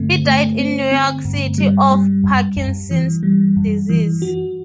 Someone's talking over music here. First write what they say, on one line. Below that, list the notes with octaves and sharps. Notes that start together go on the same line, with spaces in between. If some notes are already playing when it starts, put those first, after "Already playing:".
He died in New York City of Parkinson's disease.
Already playing: G2 D3 A3 C4
A3
C4
C4
G2
G3
G3
F#2
F#2
E3
G3
F#2
E3
F#4